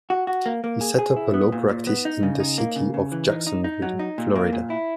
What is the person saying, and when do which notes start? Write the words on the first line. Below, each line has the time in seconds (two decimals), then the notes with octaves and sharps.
He set up a law practice in the city of Jacksonville, Florida.
0.10 F#4
0.27 F#4
0.46 A#3
0.64 A#3
0.81 G#4
0.99 G#4
1.16 E4
1.34 B3
1.52 A#2
1.70 A#2
1.87 B3
2.05 D#4
2.23 C#3
2.40 D#4
2.58 A#3
2.76 C#3
2.94 C#3
3.12 E3
3.28 D#4
3.47 D#4
3.64 D#4
3.82 F#3
3.99 D#4
4.18 A#2
4.35 A#3
4.53 A#2
4.70 E4